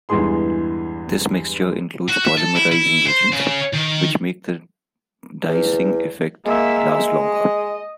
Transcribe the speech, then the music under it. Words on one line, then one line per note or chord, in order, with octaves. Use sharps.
This mixture includes polymerising agents, which make the deicing effect last longer.
E2 G2 E3 G#3 G#4 C6
F#4
E5
A4
E4
E4
C5
C#3
D#3
E2
G#3 A#3 E5
D#5